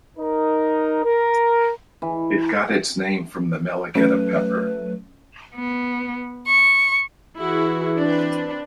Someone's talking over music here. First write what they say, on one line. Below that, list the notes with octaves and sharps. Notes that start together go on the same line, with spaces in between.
It got its name from the melegueta pepper.
D#4 A#4
A#4
E3
F#3 A3 C#4 B4
B3
C#6
E3 E4 F#4 G#4
C4 D4 B4